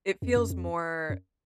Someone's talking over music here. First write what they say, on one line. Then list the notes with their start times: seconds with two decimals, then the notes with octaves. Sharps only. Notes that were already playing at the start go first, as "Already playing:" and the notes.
It feels more
0.22 F2
0.36 F#2
0.50 F2
1.10 F#2